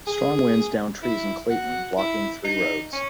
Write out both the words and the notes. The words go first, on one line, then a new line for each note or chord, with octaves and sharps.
Strong winds downed trees in Clayton, blocking three roads.
G#4
E4
F#4
E4
D#4
C#4